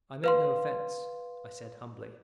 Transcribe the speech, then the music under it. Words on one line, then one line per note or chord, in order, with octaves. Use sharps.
"I meant no offence," I said humbly.
B4 F5 C6